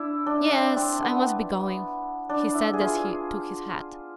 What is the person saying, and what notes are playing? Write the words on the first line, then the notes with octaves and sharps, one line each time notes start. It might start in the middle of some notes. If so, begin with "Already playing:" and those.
"Yes, I must be going," he said as he took his hat.
Already playing: D4 E4
D4
D4
C4
B3
D4
E4
G#4
F4